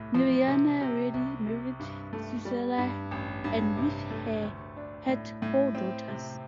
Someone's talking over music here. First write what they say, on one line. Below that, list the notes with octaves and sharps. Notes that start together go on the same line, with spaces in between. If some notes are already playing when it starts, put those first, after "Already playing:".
Naryana Reddy married Suseela and with her had four daughters.
Already playing: C2 A2
F3
C3
C3
C2
C3
G2
A3
G3
G2
A1
G2
C3
A3
D2
D4
A2
A2
C4
C3